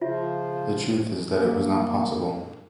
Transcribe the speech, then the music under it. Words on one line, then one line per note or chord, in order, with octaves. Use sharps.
The truth is that it was not possible.
C#3 F3 F4 C5 E5
A#3